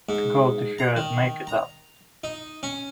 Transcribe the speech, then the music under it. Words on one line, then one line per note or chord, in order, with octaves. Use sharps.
Go to her and make it up.
G#2
A#5
D#3
A#5
D#4
C#4